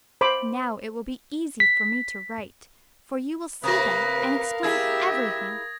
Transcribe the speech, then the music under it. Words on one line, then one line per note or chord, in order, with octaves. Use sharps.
Now it will be easy for me to write, for you will see them and explain everything.
C5 B5 D6
B6
C3 A#3 A#4 B4 F5 D#6 A#6
E4 G4 G#4 E5 G#6